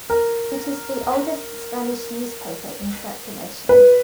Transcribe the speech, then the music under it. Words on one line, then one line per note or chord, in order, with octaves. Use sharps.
It is the oldest Spanish newspaper in circulation.
A#4
B4